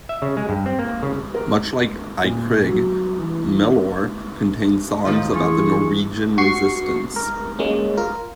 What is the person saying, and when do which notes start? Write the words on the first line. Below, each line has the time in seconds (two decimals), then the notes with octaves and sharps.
Much like I Krig, Milorg contains songs about the Norwegian resistance.
0.09 E5
0.22 C#3
0.37 G#3
0.49 G2
0.66 C4
0.79 A#3
1.03 C#3
1.34 A#4
2.24 A#2
2.68 F#3
3.18 E3
5.05 A2 D#3 F3 F4
5.34 E3 E4 F4 G#4 C#6
6.38 F#4 C#6 C7
7.16 A#4
7.59 G#3 A#3 C#4
7.97 F4 A#4